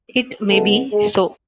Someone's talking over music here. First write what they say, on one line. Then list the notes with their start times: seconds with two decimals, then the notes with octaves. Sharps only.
It may be so.
0.48 E2 C#3 G#3 A3 B3 A4
0.93 G#3 G#4